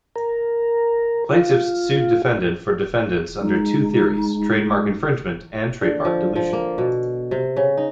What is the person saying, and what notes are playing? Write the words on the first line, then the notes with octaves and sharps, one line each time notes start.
Plaintiff's sued Defendant for Defendant's under two theories: trademark infringement and trademark dilution.
A#4
F4
G#3 D#4
D3
F3
F3
A#3
B2
C3
C#3
D#4